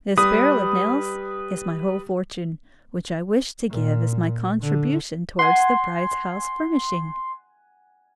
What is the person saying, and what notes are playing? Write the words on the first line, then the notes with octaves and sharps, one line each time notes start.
This barrel of nails is my whole fortune, which I wish to give as my contribution towards the bride's house furnishing.'
G3 B4 D#6
A#2
D3
F#5 G#5 C6